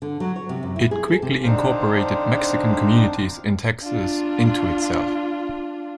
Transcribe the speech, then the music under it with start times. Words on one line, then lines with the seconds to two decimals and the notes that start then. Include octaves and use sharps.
It quickly incorporated Mexican communities in Texas into itself.
0.02 D3
0.20 F#3
0.36 C#5
0.49 C3
0.63 F#2
0.76 E4
0.91 G#4
1.08 A4
1.22 C3
1.43 D3 C4 D4 D#4 C5 F5
3.82 D4 F4